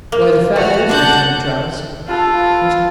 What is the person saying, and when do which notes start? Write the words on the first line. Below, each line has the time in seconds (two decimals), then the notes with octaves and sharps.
'Why, the fact is,' returned Traddles, 'Mr.
0.12 A#3
0.56 A3 F#4 F#5 F6
0.89 D4 F#4 F#5 A5 G6
2.08 F4 A4 B4 A5